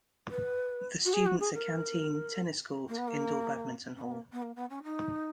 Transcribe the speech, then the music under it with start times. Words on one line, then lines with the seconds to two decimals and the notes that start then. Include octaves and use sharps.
The students a canteen, tennis court, indoor badminton hall.
0.30 B4
1.05 F#4
1.13 G#4
1.26 F#4
1.40 G#4
1.54 A#4
2.88 A#3
2.98 B3
3.08 A#3
3.96 C#4
4.01 B3
4.11 A#3
4.32 B3
4.42 A#3
4.55 B3
4.70 C#4
4.83 D#4